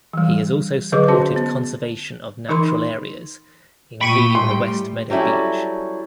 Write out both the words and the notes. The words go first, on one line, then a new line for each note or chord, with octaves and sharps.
He also supported conservation of natural areas, including the West Meadow Beach.
E3 G3
D3 F#3 G#4 B4 D#5 D6
C#4 F#4 C5 A5
B3
E3 D#4 A#4 B5 C6
A#2 G5 B5 C#6 D#7
A2 G3 C6
F#3 G3 C#4 E4 A4